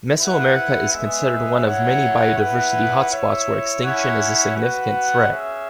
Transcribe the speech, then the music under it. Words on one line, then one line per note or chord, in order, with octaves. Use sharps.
Mesoamerica is considered one of many biodiversity hotspots where extinction is a significant threat.
E4 B4 F#5
G#3 B3 G#4 E5
E4 C#5 F#5
E4 B4 F#5
E4 C#5 E5
C#4 E4 C#5 F#5
F#4 B4 F#5
C#4 G#4 E5